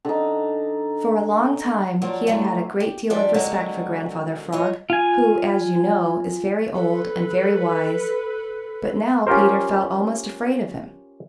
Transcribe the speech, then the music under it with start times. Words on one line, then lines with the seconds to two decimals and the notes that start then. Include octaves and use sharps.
For a long time he had had a great deal of respect for Grandfather Frog, who, as you know, is very old and very wise, but now Peter felt almost afraid of him.
0.05 D3 D#4
2.02 F3 F#3 A#3 D5
2.27 D3 E3 F#3 A3
2.80 G4
3.10 F3 G3 D4 G4 B4 D5
3.34 D3 F#3 G#3 A#3 C4
4.52 F4 C#5 D#5
4.90 F4 G#5
6.75 A4 B4
9.27 C#4 F4 G4 A#4 C5